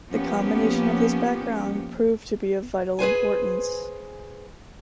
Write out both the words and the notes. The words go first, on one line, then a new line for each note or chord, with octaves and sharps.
The combination of this background proved to be of vital importance.
F3 A#3 B3 C#4 G4
G#4 B4 C5 G#5